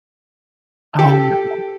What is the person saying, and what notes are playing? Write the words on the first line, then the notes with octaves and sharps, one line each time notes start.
Oh, no.
G4 A4